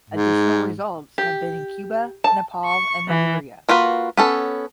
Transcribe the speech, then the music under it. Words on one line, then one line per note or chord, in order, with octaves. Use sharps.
Additional results have been in Cuba, Nepal, and Nigeria.
G#2
G4
A5
C#6
E3
A#3 F4 F#4 B4
B3 C#4 A4